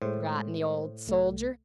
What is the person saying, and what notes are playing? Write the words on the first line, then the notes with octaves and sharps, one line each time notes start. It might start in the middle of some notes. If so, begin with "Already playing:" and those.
Forgotten the Old Soldier!
A2 G#3 C5
C2 A3